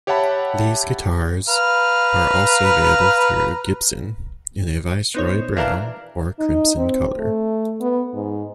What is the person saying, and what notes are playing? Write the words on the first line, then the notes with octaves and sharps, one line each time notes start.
These guitars are also available through Gibson, in a viceroy Brown or Crimson colour.
G4 C#5 E5 F#5 A5 B5
B4 F5 A#5
B3 D#4 C5 C#5
E3 D4 A#4 F5
D#4
C4
A3
B3
G#2